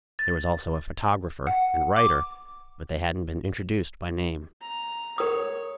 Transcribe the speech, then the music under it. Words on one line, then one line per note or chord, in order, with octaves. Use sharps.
There was also a photographer and writer, but they hadn't been introduced by name.
A6
F#5
D6
A#5
A#4 C#5 D#6